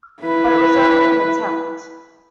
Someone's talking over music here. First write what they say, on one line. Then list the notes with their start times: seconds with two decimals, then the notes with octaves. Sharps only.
But it was only an attempt.
0.23 E4 B4